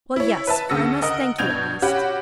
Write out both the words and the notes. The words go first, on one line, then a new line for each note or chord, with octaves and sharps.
"Well, yes! for I must thank you at least."
E4 C#5
B4 E5 A5
D2 C#3 E6 A#6 C#7
A#4 D#5 F#5
G2 B2 G6 G#6 F7
C#4 F#4 G4 F#5 B5